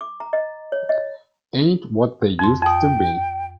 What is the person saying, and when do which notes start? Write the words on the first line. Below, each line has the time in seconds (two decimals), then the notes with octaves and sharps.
Ain't What They Used to Be!
0.01 D6
0.20 A#5
0.33 D#5
0.72 C#5
0.89 D#5
2.39 F2 C6
2.62 F2 G5 D#6